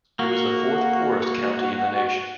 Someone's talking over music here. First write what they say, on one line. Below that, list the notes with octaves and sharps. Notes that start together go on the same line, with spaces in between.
It was the fourth-poorest county in the nation.
A#3 F#4